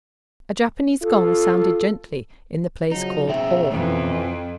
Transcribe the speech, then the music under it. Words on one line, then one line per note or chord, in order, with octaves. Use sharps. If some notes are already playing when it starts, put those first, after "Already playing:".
A Japanese gong sounded gently in the place called hall.
F4 A4
C#3 F3 F#3 D#4
G#2 B2 C#4 E5 G5
F2 E3